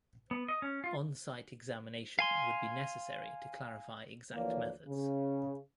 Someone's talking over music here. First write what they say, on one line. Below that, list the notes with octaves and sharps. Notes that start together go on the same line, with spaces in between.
On-site examination would be necessary to clarify exact methods.
B3
D#5
C#4
F4
F5 G#5 C6
D2 E3 F3 A#3 C#5 D5
C#3